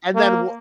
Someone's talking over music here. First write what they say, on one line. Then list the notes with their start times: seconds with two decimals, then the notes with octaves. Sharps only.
and then w
0.15 A#3